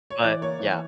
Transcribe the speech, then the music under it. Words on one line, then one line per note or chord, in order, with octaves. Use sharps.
but yeah.
C#5
E3 D5
A#3 C#5
E3